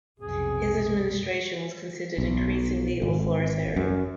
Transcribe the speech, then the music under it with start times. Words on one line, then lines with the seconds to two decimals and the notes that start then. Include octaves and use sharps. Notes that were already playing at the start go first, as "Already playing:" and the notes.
His administration was considered increasingly authoritarian.
0.20 B1 F2 C3 G#4
2.18 B1
3.02 G#1
3.76 F#2